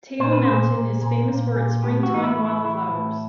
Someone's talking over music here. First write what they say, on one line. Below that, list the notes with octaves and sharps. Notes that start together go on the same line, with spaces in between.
Table Mountain is famous for its springtime wildflowers.
A#2 C5
B4
A#2 C5
A#2
A#2
A#2
A#2
A2 G4
F#4
E3 D#4
E4
A2
E4
E3 E4
A2